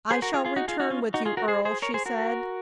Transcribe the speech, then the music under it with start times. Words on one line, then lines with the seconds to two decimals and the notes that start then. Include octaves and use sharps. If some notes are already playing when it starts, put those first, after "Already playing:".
"I shall return with you, Earle," she said.
0.11 G#4 C5
0.22 F#4 A#4
0.34 F4 G#4
0.45 F4 G#4
0.56 D#4 F#4
0.68 F4 G#4
0.80 D#4 F#4
0.90 C#4 F4
1.14 D#4 F#4
1.25 F4 G#4
1.37 F#4 A#4
1.48 G#4 C5
1.65 G#4 C5
1.82 A#4 C#5
1.94 G#4 C5
2.06 F#4 A#4